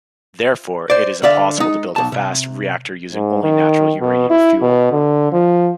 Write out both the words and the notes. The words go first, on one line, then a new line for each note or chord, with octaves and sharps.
Therefore it is impossible to build a fast reactor using only natural uranium fuel.
C5 D5
D3 D5 E5 F5
G#3 D#4
B1 A5
C3
G#2
D#3
B2
E4
B2
D3
F3